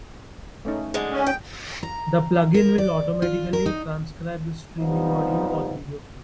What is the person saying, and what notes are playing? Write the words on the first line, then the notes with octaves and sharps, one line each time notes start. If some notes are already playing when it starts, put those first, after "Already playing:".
The plug-in will automatically transcribe the streaming audio or video feed.
A3 C#4 D#4
D3 G#3 G#4
C#4
G5
A#5
A#4
D5
F4
A#4
D#4
C3 F3 G3 B3 D#4